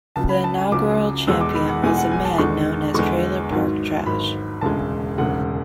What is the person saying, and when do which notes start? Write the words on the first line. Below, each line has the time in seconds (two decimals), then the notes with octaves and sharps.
The inaugural champion was a man known as Trailer Park Trash.
0.16 C#2 C#3 F#3 A5
0.29 B5
0.44 A5
0.58 G#5
0.72 C#2 C#3 F#3 D6
1.27 E2 B2 G#3 E6
1.41 D6
1.55 B5
1.69 F#5
1.83 E2 B2 G#3 G#5
1.97 F#5
2.11 G#5
2.25 A5
2.38 E2 D3 G#3 C#6
2.94 E2 D3 G#3 C#6
3.50 G#1 G#2 F#3
4.06 G#1 G#2 F#3 B5
4.61 E1 D2 C#3 G#3 A5
5.18 E1 D2 C#3 G#3 F#5